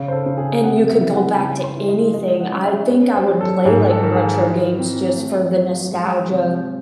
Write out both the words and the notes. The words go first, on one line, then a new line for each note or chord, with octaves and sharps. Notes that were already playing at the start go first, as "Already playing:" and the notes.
and you could go back to anything. I think I would play, like, retro games just for the nostalgia
Already playing: C#3
C5
A4
C#3
G#4
C3 F#5
E5
E3
F#5
C#3 A5
C6
E3
D#5
G#3 D#5
F#5
C#4
E5
C#4
C5
F#3
A4
G#2 G#4
A4
D#3
G#4
E3
C4
A3
F#3
G#3
C3